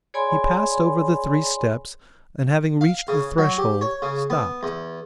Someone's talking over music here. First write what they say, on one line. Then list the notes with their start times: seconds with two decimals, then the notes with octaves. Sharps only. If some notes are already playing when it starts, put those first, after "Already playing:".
He passed over the three steps; and having reached the threshold, stopped.
0.14 G#4 C#5 D5 G#5 B5 C6
2.81 F5
3.08 C#3
3.38 F#3
3.58 G4
3.81 C#5
4.02 C#3
4.30 B3
4.63 E2